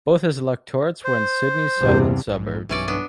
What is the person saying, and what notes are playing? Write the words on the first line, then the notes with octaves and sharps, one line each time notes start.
Both his electorates were in Sydney's southern suburbs.
C5
E2 G2 C3
A#1 G#2
B1 G2 E3 C#4 D5
B3 D4